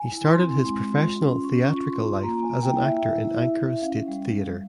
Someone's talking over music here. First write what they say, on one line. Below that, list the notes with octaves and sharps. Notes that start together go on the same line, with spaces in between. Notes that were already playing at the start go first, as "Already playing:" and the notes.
He started his professional theatrical life as an actor in Ankara State Theatre.
Already playing: G#5
E4
C6
C4
G#3
F4
C#4
C#4 C#6
F4
C6
F4
A#3 A#5
G#5
A#3
G5
E4
E5
E4 E5
E4
E4
C#4 F5
G3
G3